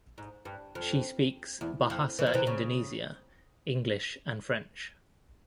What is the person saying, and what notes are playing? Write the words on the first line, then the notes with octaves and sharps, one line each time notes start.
She speaks Bahasa Indonesia, English and French.
G#2
G2
F2
E2
F2
E3
F3
C3 E3
C#3